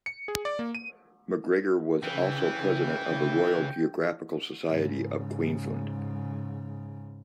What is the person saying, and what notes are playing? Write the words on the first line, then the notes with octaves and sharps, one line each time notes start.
MacGregor was also president of the Royal Geographical Society of Queensland.
C#7
G#4
D5
A#3
D#7
C#3 E3 G5
G#2 C#3